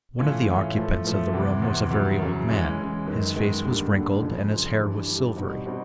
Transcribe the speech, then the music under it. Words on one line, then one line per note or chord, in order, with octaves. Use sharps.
One of the occupants of the room was a very old man; his face was wrinkled, and his hair was silvery.
A2 E3 A3 C#4 F4
A2 E3 A3 C#4 F4
A2 F3 A3
A2 F3 A3
E2 C3 E3
E2 C3 E3
E2 C#3 F#3
E2 C#3 F#3
E3 G#3 C#4
E3 G#3 C#4
F#2 D#3 G#3 B3
F#2 D#3 G#3 B3
D#2 D3 G3
D#2 D3 G3
F2 C#3 F3
F2 C#3 F3
G2 E3 G3
G2 E3 G3
B2 G3 C4 D#4
B2 G3 C4 D#4